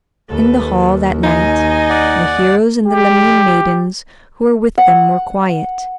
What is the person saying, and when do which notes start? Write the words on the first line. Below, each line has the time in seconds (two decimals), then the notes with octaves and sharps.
In the hall that night the heroes and the Lemnian maidens who were with them were quiet.
0.30 D#2 A4 B4
1.23 D#4 D#5 G#5
1.90 D5 F#5
2.86 G4
4.78 F#5